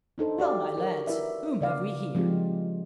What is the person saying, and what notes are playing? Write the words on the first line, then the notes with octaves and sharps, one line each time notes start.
"Well, my lads, whom have we here?"
D4 D#4 A4 C5
F#4 G4 D5 F5
A#4 C#5
E4 A#4 B4 D5 E5
C#3 D5 F5
F3 G#3 C4 D#4 F4 G4